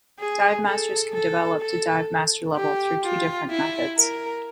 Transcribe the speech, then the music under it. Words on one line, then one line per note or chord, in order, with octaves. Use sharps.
Divemasters can develop to Divemaster level through two different methods.
G#4
A4
A4
A4
G4
F4
E4
A#4